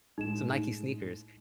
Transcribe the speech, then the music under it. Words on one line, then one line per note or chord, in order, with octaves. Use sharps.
Some Nike sneakers.
A2 G#3 D#4 E7